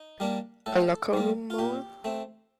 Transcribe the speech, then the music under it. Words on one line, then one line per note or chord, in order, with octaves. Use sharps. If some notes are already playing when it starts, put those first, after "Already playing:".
A Locker Room Mole?
Already playing: D#4
G3 A#3 D4
A2 A4
G3 A#3
F4
A#2 G4
A3 C4